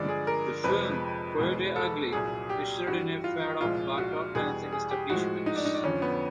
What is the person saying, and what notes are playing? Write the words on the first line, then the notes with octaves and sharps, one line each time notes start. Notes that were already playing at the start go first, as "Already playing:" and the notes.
The film "Coyote Ugly" ushered in a fad of bartop dancing establishments.
Already playing: G2 D3 F3 G#3 D5
G#4
A#4
F2 C3 F3 G#3 B4
E2 B2 G#3
A4
C2 A#2 F#3 G#4
G4
G2 E3 G3 F#4
F4
C2 A#2 F3 G#3 F4
F#4
E2 B2 G3 G#4
G#4
G4
A2 F3 G#3 F#4
D#4
D4
D#4
D4
F2 D3 F3 C#4
B3